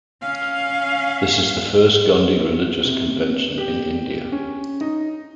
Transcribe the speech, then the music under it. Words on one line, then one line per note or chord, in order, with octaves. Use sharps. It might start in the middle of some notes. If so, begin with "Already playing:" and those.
This is the first Gondi religious convention in India.
C#4 F5
C3
G4
C#4
D#4